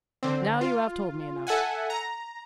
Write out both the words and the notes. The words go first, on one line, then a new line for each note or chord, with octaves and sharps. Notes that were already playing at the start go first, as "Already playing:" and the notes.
Now you have told me enough.
D3 C4
F4
A4 E5 F#5 G#5
A#5